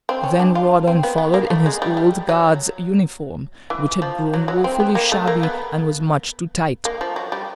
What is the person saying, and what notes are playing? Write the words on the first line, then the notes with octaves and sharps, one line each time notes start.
Then Rawdon followed in his old Guards' uniform, which had grown woefully shabby, and was much too tight.
C4
C#4
D4
F4
C4
B3
B3
A#3
A3
G#3
G3
G3
F#3
E3
F3
F#3
F#3
C4
B3
A#3
A3
A#3
B3
A#3
F3
F#3
G3